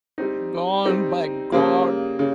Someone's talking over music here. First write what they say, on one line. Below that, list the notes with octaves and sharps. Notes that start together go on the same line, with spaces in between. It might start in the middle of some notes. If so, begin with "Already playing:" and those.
"Gone by God."
G3 C4 D#4
G3 C4 D#4
C#3 G3 A#3
C#3